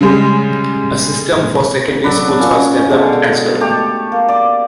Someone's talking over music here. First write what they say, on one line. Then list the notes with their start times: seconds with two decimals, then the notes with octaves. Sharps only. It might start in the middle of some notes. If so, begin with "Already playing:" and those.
A system for secondary schools was developed as well.
0.01 C#3 G3 G#3
2.04 F#3 D4 B4
2.39 A#2 C#4
2.90 B2 D3 G#3
3.61 A3 G4 A5 C#6
4.12 A#3
4.29 D5